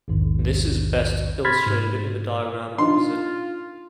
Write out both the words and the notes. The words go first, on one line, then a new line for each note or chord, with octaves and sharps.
This is best illustrated in the diagram opposite.
A#1 E2 G#2 D#3
B5 C6 F6 G#6 A6 B6
G#2
D4 D#4 F4 D#5 C6